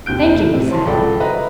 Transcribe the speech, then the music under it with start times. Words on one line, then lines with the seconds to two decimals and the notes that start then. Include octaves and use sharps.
"Thank you," he said.
0.06 D#2 C3 G6 D7
0.35 A2 E4
0.54 C3
0.70 C#5 A5 C6
0.86 C#2 A4 D5 F#5 G5 B5
1.20 B4 D#5 E5 A#5